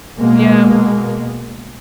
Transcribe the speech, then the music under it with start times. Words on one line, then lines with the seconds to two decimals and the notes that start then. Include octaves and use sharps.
Yeah, um
0.17 B2 G#3 A#3